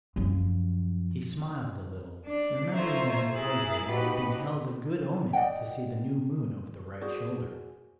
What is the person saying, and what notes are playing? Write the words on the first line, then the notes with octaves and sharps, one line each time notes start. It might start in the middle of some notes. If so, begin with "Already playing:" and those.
He smiled a little, remembering that in boyhood it had been held a good omen to see the new moon over the right shoulder.
F#2 F3
D4 D5
F4 A4 C5 C#5 E5 A#5
E4 G#4 E5 A#5 F#6 A6
F3 D#4 F#4 G4 B4 B5
D5 D#5 F#5 G5
F#4 G#4 C5 D5